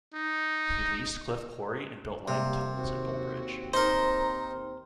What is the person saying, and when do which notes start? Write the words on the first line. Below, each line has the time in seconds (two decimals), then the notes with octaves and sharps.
He leased Cliff Quarry and built limekilns at Bullbridge.
0.14 D#4
2.28 C3 G3 A#3
2.76 D#2 C4 F#4
3.74 D#4 A#4 C5 A#5